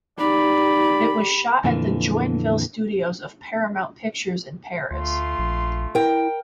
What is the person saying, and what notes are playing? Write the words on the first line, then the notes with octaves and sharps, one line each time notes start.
It was shot at the Joinville Studios of Paramount Pictures in Paris.
D#4 G4 D5 B5
F2 A#2 D3 E3
D2 A3 F4 C6
A#1
E4 A#4 G5